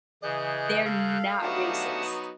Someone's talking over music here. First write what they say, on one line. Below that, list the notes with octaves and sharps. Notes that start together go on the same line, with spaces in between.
they're not racist.
C#3 E3 G#4 D#5 F#6 G6
A4 F5
F#3 A3 B3 D4 D#4 G4 F#5 A5